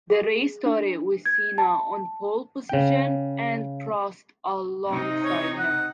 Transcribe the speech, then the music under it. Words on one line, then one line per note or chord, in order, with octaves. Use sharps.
The race started with Senna on pole position and Prost alongside him.
G#4
D4
G#6
A5
C#3 G5
C3 D#4
C#5
F#5